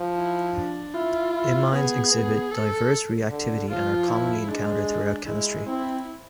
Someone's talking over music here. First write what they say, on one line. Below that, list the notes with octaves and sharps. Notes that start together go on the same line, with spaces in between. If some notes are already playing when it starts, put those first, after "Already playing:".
Imines exhibit diverse reactivity and are commonly encountered throughout chemistry.
Already playing: F3
E4
D4
E4 F4
E4
B3 G#4
B3
A4
D3
F3 F4
E4
G#3 D4
G#3 E4
C4 E4